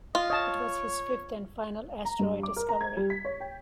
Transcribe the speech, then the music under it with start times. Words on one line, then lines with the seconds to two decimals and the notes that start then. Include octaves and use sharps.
It was his fifth and final asteroid discovery.
0.15 F4 D#5
0.30 C#5 D#5 A5
2.05 A#5
2.19 G2
2.43 D6
2.56 A#4
2.69 A#5
2.81 G#6
2.97 G3
3.10 B6
3.25 C#5
3.40 G5